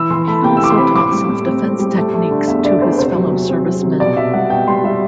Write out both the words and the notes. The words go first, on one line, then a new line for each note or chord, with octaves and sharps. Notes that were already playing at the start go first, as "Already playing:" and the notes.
He also taught self-defense techniques to his fellow servicemen.
Already playing: E3 E6
E3 C6
A3 B5
C3 G5
E6
E3 D6
C6
C4 B5
A2 D6
G3
A2
C4
A2
G3
A3
A3
D3
E2 E5
D3 D5
E2 C5
B4
C3 C5
F#3
C3
C4
F#3
C3
B2 D5
B2 E5
G3 F#5
B2 G5
G3 C6
G3 E5